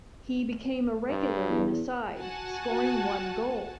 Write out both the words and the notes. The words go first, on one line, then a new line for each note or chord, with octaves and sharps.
He became a regular in the side, scoring one goal.
G2
E2
F#4 F#5 G#5 A5